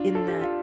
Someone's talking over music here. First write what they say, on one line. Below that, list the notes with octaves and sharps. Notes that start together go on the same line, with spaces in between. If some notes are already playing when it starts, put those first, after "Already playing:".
in that,
Already playing: D4 F4
A4
G4
F4